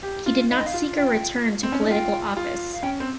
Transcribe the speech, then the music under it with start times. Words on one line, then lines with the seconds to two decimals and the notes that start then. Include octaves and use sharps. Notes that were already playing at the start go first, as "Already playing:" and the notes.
He did not seek a return to political office.
0.03 G4
0.26 F4
0.50 D#4 F5
0.59 D#5
0.67 F5
0.74 F4
0.97 G5
1.63 C4
1.72 C#4
1.81 D#4
1.90 F4 G5
2.37 F4
2.73 F5
2.83 C#4 G5
3.00 C4